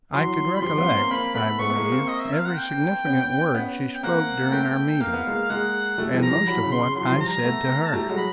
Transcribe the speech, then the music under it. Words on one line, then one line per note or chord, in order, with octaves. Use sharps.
I could recollect, I believe, every significant word she spoke during our meeting, and most of what I said to her.
E3 F#3 C6
B5
F3 G3 C6
B3 C#4
A#3 C4
A#3 C4 B5
A3 B3 B5
A3 B3 C#6
B3
G#3 A#3
A#3 C4
D#5
E5
F5
F#5
G5
B3 C#4
B3 C#4
G5
A#3 C4 F#5
A#3
A3 B3 G5
A#3 F5
B3
G#3 A#3
G#3 A#3 F#5
G3 A3
F3 G3
A#5
F3 G3
E3 F#3 B5
C#3
C6
C#3
E3 F#3 C6
F3 G3
A#5
A3 B3
A5
G3 A3 A#5
F#3 G#3
B5